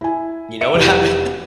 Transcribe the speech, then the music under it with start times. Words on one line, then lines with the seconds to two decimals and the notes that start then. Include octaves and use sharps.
You know what happened
0.01 E4 G#5
0.61 E5 C#7 D7
0.75 F1 E4 F#4